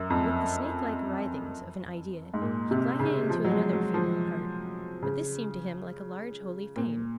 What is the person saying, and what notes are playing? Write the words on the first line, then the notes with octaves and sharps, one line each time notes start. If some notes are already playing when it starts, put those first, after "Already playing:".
With the snake-like writhings of an idea he glided into another female heart; but this seemed to him like a large holy fane.
Already playing: F#2
F2
G#2
A#2
C3
C#3
F3
F#3
G#3
F#3
F3
C#3
A#2